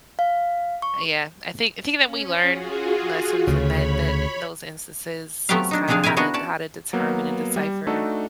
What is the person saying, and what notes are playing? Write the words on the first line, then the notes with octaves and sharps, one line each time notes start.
uh, yeah, I think I think that we learn lessons in that that those instances, just kinda how to how to determine and decipher
F5
C#6
C#4
F4 F#4 G#4
D2 C#3 C#5 B5
F#3 A3 B3 C4 G4 F5
D4 D#4
C3 F3 C4 D4 G#4 F5
C3 E4 A#4 F5 G#5
B3 D4 F#4 G#5 A#5
C#4 D5 A5
F#3 A#3 B3
G3
A3 D4 D#4 F#4 A4